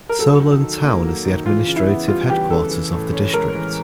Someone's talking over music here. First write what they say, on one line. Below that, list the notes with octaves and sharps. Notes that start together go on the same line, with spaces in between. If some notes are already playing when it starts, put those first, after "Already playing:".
Solan town is the administrative headquarters of the district.
A#4
F#3 A4
D#3
D#3
A#3
F#3
D#3
E3 F4
C#3
E4
B3
G3 F4
E3 G4
C#3 A4
E3
A2
C#4
G#3 A#4
E3